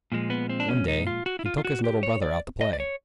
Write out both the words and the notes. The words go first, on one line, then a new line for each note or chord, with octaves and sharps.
One day, he took his little brother out to play.
A#2 F3 G#3
B3
C4
D4
C#4
D#4
F4
F#4
E4
F4
F4
F#4
G4
C#5
D5
D#5
D5
C#5